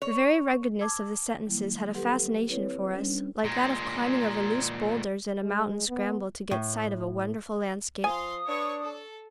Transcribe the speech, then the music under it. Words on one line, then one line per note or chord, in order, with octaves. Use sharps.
The very ruggedness of the sentences had a fascination for us, like that of climbing over loose bowlders in a mountain scramble to get sight of a wonderful landscape.
C#5
A5 D6 E6 G#6
D#3 F#3 G3 A#3 E4
G4 A4 B4 F#5 C6
C4 E4 B4 C#5
G3 C#4 D4
A#2 G#3
G#3
B3
A2
F3 F5 G#5 C6 D#6
D4 B4 C#5 C#6
A4